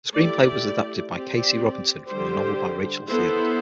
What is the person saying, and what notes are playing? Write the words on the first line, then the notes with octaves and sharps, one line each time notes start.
The screenplay was adapted by Casey Robinson from the novel by Rachel Field.
A3 E4 G4 D5
C4 G4 D5
D3 G3 D4 G4 C5
B3 E4 A4 C5